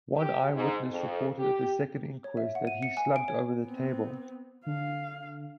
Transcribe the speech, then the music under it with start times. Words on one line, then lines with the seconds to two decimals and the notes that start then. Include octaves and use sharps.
One eye witness reported at the second inquest that he slumped over the table.
0.15 G4
0.54 G#2
0.91 F2
1.38 G4
2.24 C#5
2.37 E5
2.55 F#5
2.67 D#7
2.83 C#7
2.97 G#5
3.16 D7
3.28 C#5
3.63 B3 C4
4.66 D3 F5